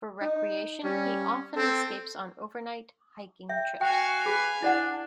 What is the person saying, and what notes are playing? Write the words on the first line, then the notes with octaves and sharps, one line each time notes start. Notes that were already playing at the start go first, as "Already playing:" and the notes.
For recreation he often escapes on overnight hiking trips.
D#4
G3 C#4
C4 A4
E5 G5
F#4 F5 G5 G#5
G#4 B4
D4 E4 D5 F#5